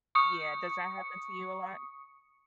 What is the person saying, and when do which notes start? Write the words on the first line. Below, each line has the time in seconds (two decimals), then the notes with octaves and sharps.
yeah, does that happen to you a lot?
0.15 C#6 D#6 C#7